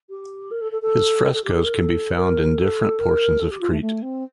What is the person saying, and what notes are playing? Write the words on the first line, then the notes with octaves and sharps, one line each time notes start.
His frescos can be found in different portions of Crete.
G4
A#4
A4
A4
A4
A4
G4
A4
A#4
A4
A#4
A4
A#4
A4
G4
F4
A3
A3
C4